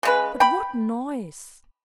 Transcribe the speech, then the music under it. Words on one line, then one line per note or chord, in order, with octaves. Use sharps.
But what noise!
C#3 G#3 B4
G5 B5